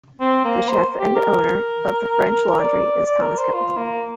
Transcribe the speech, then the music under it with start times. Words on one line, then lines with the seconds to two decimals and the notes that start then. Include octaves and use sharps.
The chef and owner of the French Laundry is Thomas Keller.
0.21 C4
0.45 A#3
0.69 C5
1.00 G4
1.16 A#4
2.60 D5
3.06 D5
3.22 A#4
3.38 C5
3.54 F4
3.77 A#3